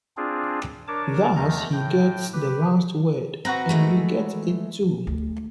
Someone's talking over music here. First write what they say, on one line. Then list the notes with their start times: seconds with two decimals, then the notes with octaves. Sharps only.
Thus he gets the last word; and you get it too.
0.17 C4 D4 F4 G#4
0.88 D4 A#4 C#5 A5 D6
1.36 E2 D#3 A3 A#5
1.72 A2 G5
2.33 G4 B4
3.45 C4 F#4 B4 A#5
3.69 E3 G#3 A3
5.07 D2